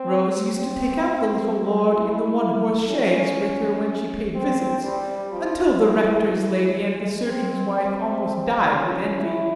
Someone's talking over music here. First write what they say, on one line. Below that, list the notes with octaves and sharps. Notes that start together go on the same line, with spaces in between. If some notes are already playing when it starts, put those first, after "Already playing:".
Rose used to take out the little Lord in the one-horse chaise with her when she paid visits, until the Rector's lady and the Surgeon's wife almost died with envy.
Already playing: C4
C4
E4
C#4
C4
G3
F3
E3
E3
G#3
C4
C4
C#4
E4